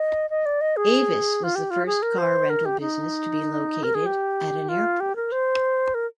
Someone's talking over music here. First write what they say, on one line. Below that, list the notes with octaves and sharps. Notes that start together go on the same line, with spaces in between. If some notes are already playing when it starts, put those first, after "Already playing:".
Avis was the first car rental business to be located at an airport.
Already playing: D#5
D#5
D5
D#5
G#4
F4
G4
F4
G#4
A#4
C5
A#4
G4
D#4
A#4
G#4
G4
F4
G4
A#4
C5
A#4